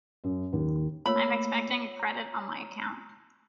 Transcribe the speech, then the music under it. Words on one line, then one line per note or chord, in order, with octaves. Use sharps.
I'm expecting a credit on my account.
F#2
D#2
A3 A#3 F4 C#5 B5 E6
A#5